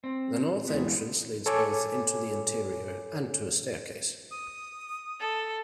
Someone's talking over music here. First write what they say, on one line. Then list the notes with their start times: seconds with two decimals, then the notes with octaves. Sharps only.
The north entrance leads both into the interior and to a staircase.
0.04 C4
0.67 E2 E3 G#3 B3
1.46 A4 C#5 G#5 D6
4.31 D#6
5.20 A4